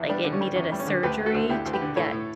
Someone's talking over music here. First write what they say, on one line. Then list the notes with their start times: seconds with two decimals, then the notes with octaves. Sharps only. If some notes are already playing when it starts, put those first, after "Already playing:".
Like, it needed a surgery to get
Already playing: E2
0.09 G3 B3 D4
0.24 D3
0.32 C#4
0.41 G3
0.56 E2 C#4
0.72 G3
0.79 C#4
0.87 D3
1.03 D2 G4 B4
1.19 A3
1.26 F#4 A4
1.35 D2
1.49 D2 E4 G4
1.66 D2
1.73 G4 B4
1.81 D3
1.96 A2 A4 C#5
2.12 A2